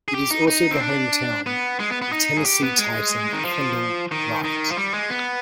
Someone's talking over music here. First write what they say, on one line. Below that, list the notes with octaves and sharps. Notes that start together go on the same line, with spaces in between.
It is also the hometown of Tennessee Titan Kendall Wright.
G#4
G4
D#4
D#4
C4
D4
B3
G#3
B3
B3
D#4
G#4
G4
B3
G#3
D#3
F3
D#3
D#3
F3
G3
G#3
B3